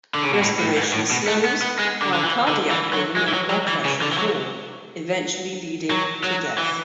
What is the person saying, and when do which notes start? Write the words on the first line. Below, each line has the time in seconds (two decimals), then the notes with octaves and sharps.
Respiration slows, while cardiac rhythm and blood pressure fall, eventually leading to death.
0.15 D3
0.23 C#3
0.33 B2
0.42 A2
0.60 A2
0.77 G#2
0.93 A2
1.11 B2
1.28 A3
1.45 B3
1.62 B3
1.79 G#3
2.02 D3
2.14 D3
2.25 E3
2.48 D3
2.71 E3
2.93 F#3
3.17 G#3
3.28 E3
3.34 F#3
3.50 F#3
3.68 E3
3.85 C#3
4.02 D3
4.13 E3
4.18 F#3
5.91 F#3
6.24 F#3
6.58 E3